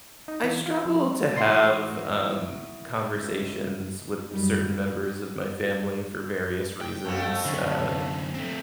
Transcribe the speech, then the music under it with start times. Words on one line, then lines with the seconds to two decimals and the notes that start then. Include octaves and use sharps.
I struggle to have, um, conversations with certain members of my family for various reasons, uh,
0.28 D#4
0.44 E3
0.66 F4
0.86 F3
1.36 G#2 E3 D#4 E4 F#4 C6
3.16 C#2
4.31 F#2 G3 D#4
6.81 G5
7.05 F2 A3 B3
7.45 F#2 D3
8.35 A3 C4